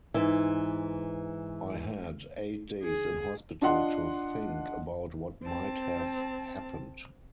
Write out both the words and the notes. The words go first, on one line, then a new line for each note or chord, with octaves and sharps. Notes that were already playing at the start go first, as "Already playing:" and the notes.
I had eight days in hospital to think about what might have happened.
G#2 E3
G#4
D4 F4 D#5 F#5 C6
C4 A5